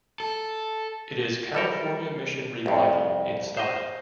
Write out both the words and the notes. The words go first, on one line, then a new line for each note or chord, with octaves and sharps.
It is California Mission Revival in style.
A4
G3 A4 A#4
C2 F2
C5 D#5